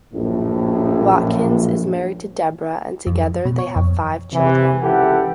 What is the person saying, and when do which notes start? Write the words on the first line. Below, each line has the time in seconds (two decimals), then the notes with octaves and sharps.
Watkins is married to Deborah and together they have five children.
0.13 A#1 F#2 A2
3.07 F2
3.45 B2
3.58 C#5
3.76 F2
4.33 C3 E3
4.82 C#2 E3 E4 G4 A4 F#5